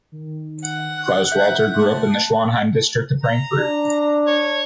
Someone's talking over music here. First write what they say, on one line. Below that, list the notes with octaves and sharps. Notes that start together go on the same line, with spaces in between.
Klaus Walter grew up in the Schwanheim district of Frankfurt.
D#3
F#5
F#6
E5 G6
A3 A5
A#5
D4
C#5